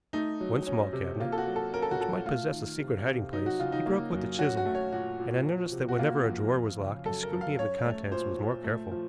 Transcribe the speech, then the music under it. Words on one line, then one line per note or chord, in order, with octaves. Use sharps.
One small cabinet, which might possess a secret hiding-place, he broke with the chisel, and I noticed that whenever a drawer was locked his scrutiny of the contents was more careful.
A3 D#4
F#3
C#4
C3
A#3 F4
A4
F#4
F#3
A4
C#4 A#4
A4
F#4
A#2 A4
A3 F4
D#3
C3
C3
F#3 D#4
F#4
C#3 F4
D#4
A#3
F#2
C#4 F#4
F#4
A3
C#5
A#2 F#4
A#2
F3
C3
F#4
A#3 F4
F2
F3
C#3
F#2 A4
A#4
F#2
F5
C#4 C#5
A3
A#2 C5
A#2
A3
F3